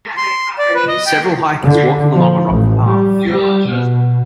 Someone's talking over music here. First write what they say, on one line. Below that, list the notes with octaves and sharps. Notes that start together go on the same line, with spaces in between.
Several hikers walking along a rocky path.
C6
D5
B4
D#5
G5
D3
F3
A1
G3
G3
B2